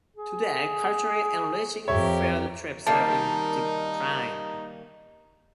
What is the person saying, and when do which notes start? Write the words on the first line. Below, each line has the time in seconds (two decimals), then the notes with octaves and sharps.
Today, culturally enriching field trips are in decline.
0.16 G#4
1.88 F2 G4 A#4 C#5 E5
2.87 D#3 G3 A#3 D#4 A5